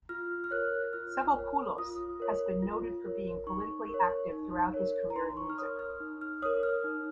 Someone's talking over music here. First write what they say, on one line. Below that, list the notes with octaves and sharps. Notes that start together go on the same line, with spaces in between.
Savvopoulos has been noted for being politically active throughout his career in music.
F4 F6
F6
A#4 C#5 F#6
F4 F6
A#4 C#5
F4 D#6
A#4 C#5
F4
A#4 C#5
D#4 C#6
A#4
C#5
D#4
A#4 C#5
A#5
D#4 C6
C#6
F6
A#4 C#5 D#6
F6
D#4
F6
A#4 C#5 D#6
F6
D#4